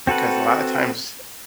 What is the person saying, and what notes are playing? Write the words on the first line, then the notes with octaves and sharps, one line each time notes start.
Because a lotta times
C4 F#4 A4 B4